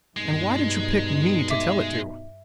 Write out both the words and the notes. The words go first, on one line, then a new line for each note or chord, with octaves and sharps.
"And why did you pick me to tell it to?"
G2 B2 G#3 D#4
E5 D6